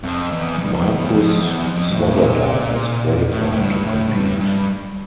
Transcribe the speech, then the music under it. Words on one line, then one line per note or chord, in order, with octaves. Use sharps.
Markus Swoboda has qualified to compete.
F2
E2
F2
G2
F2
E2
F2
E2
F2
G2
A2
C3
A#2
A2
A2
G2
A2
G2
G2